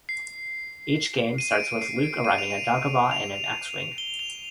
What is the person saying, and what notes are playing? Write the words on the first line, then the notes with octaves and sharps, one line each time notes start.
Each game starts with Luke arriving at Dagobah in an X-wing.
C7
D#7
D7
D#7
C7
D7
D#7
F7
D#7
F7
D#7
F7
G7
F7